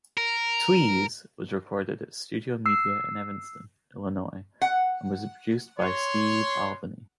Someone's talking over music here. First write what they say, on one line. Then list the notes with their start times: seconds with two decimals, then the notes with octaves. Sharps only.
"Tweez" was recorded at Studiomedia in Evanston, Illinois, and was produced by Steve Albini.
0.17 A#4
2.66 E6 C7
4.62 F#5
5.79 C#5 C6